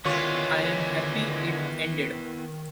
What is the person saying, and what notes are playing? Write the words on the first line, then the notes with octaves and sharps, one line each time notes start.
I am happy it ended.
D3 D#3 G#3 B3 E4 F4 C#5